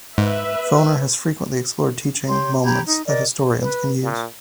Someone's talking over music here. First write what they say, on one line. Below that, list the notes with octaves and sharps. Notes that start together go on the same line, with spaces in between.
Foner has frequently explored teaching moments that historians can use.
G#2 B4 E5
G4 C#5 C6
G4 A#5 B5 G#6
D#4
A#4 D5 D#5
B4
A#2